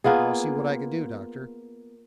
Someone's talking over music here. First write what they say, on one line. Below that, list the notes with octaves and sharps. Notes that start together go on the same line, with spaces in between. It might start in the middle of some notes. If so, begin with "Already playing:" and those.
"I'll see what I can do, Doctor."
A#3 B3 F4 G#4